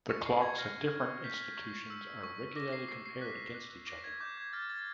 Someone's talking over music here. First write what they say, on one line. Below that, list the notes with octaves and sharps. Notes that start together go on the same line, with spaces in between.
The clocks at different institutions are regularly compared against each other.
C#6 C#7
C#6 C7
G#6
F6 A#6
F6
G6 B6
C#6
E6
C#6
D6 A#6
C7
D6 C7
C7
F#6 B6
F#6
D6 A#6
G#6
D6 G6
G#6
F6 A6
A6